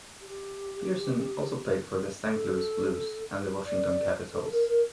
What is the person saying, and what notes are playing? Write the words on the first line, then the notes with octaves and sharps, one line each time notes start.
Pearson also played for the Saint Louis Blues and the Washington Capitals.
G4
A4
D5
A4
A4
A#4
A#4